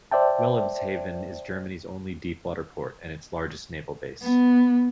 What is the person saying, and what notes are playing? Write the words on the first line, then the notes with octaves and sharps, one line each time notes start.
Wilhelmshaven is Germany's only deep-water port, and its largest naval base.
C5 D5 E5 G5 A5
B3